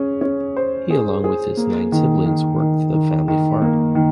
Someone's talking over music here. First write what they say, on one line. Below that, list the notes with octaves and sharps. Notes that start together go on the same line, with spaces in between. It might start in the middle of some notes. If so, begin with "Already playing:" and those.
He along with his nine siblings worked the family farm.
Already playing: C#4 G#4
C#4
C5
G#4
G#4
A#3
D#3
D#3
D#3
D#3
D#3
A#3
D#3